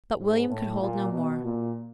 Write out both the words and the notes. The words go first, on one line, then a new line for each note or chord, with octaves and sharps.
But William could hold no more.
G#2
A2
A#2
B2
A#2